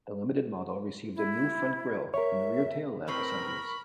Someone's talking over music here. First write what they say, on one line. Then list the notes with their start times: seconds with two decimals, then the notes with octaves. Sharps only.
The Limited model received a new front grille and rear tail lamp assemblies.
1.16 E4
2.14 A#4 C#5 E5
3.08 A2 C4 A#4 B4 B5 C#6